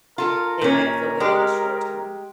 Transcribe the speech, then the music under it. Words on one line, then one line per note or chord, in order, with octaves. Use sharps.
They might feel good in the short-term.
F4 A4 A#4
A#2 C#4
G#3 G4